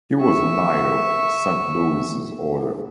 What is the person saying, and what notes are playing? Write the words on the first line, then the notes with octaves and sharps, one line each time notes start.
He was a knight of Saint-Louis’s order.
E5 C#6